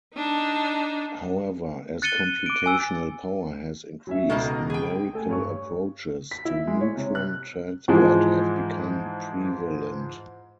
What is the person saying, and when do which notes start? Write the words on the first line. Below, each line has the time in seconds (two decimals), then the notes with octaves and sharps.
However, as computational power has increased, numerical approaches to neutron transport have become prevalent.
0.14 D4 D#4
2.02 F#6 A6 C#7 D#7 G7
2.46 D6 D7
2.66 G#5 E6
4.07 F#3 C#4 E5
4.30 C#2 B2 A#3 D#4 A4
4.70 G#4 G5
5.14 A3 A4 G#5
5.29 G2 C#5 C#6
6.31 B6
6.45 E4
6.67 G#3
6.81 C#5
6.97 C3
7.15 F#6
7.88 G#2 E3 F3 G#3